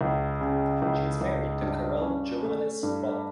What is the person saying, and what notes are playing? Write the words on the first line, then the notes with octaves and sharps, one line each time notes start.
She is married to Karel Johannes Wahl.
C#2
C#3
C#2
C#2
G2
C#4
A3
G2